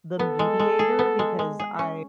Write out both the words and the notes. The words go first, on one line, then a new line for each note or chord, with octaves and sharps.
the mediator, because I
B3 A4
G#3
G#3
G#4
B3
G#3
G#3
G#4
C#4